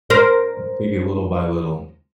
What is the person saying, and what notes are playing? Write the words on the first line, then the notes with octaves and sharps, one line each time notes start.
M take it little by little.
A#4 C5